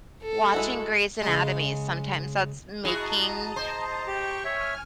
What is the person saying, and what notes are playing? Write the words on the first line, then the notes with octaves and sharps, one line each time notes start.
watching Grey's Anatomy, sometimes that's making
A4
G#3 E4 F#4
C#3 G#3
E4 F#4 G#4 D#5 A5 A#5
C5
G4 G5 C#6
C#5 E5 G#5 F6